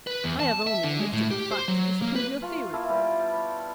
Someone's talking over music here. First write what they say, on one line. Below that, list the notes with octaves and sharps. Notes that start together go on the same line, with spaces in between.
I have only elicited the fact to disprove your theory.
B4
E2
A5
E5
D3
G#3
A2
G4
C5
F#3
A#3
B4
F4 F5 A#5 C#6
A#3 E4 F4 A4
G3 B3 G4 B5
C#5